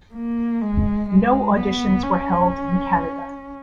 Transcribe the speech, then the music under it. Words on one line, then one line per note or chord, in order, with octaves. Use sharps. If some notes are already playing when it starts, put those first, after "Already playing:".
No auditions were held in Canada.
A#3
G#3
G#3
B3
C#4